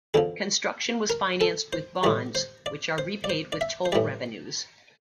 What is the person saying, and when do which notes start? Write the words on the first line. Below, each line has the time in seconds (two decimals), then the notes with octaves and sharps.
Construction was financed with bonds, which are repaid with toll revenues.
0.14 E2 D3 F3 A4
1.10 A#4
1.41 A4
1.73 C5
2.03 A2 E3 G3 D5
2.35 C5
2.66 D5
2.98 C5
3.24 D5
3.30 C5
3.52 D5
3.61 E5
3.85 C5
3.92 A2 E3 G3 D5